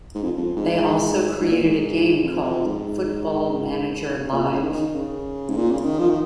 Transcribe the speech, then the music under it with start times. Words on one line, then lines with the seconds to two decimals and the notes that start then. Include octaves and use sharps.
They also created a game called Football Manager Live.
0.15 G#2
0.23 F2
0.38 F2
0.57 G#2
1.39 G#2
1.51 A#2
1.62 G#2
2.23 F2
2.45 F2
2.65 G#2
4.32 A#2
4.43 C#3
4.53 C#3
4.63 D#3
4.73 D#3
4.95 C#3
5.50 G#2
5.57 A#2
5.71 C#3
5.85 D#3
5.99 F3
6.09 D#3